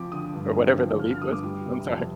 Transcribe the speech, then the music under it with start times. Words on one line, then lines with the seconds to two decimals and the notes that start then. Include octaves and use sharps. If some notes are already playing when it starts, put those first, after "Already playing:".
Or whatever the leaf was. I'm sorry.
Already playing: F3 C4 D6
0.12 D3 D#6
0.33 G2
0.56 C4
0.78 F3
0.99 D3 F6
1.11 F6
1.22 G2 D#6
1.32 D6
1.44 G3 D6
1.65 C3
1.88 F2